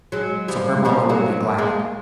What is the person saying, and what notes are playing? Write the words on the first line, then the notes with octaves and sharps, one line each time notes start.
So, her mamma will be glad.
F#3 G#3
F3 G3
F3 G3
F#3 G#3
G#3 A#3